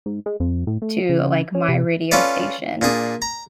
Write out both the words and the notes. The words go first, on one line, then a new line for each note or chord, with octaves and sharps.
to, like, my radio station,
G#2
G#3
F2
A2
A3
C#3
C#4
C3
C#4 F4 A4 B4 D5
A#2 D4 G#4
A#5